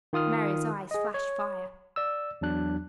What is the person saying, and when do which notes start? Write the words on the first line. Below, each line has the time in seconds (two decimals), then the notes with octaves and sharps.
Mary's eyes flashed fire.
0.13 D#3 F4 D#6 F6
0.91 G#4 D#5
1.14 C#5
1.96 D5 E6
2.41 E2 F#3 D4 F#6